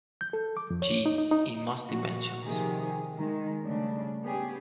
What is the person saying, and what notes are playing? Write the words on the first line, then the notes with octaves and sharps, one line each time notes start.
G in most dimensions.
G6
A4
D6
F2
C#5
D#4
D#4
D#4
A#2 F3 F#4
C3 D#3 F3 G4 G#4
D#3 G#3
C#3 G3 A3 D4
B3 C#4 G4 G#4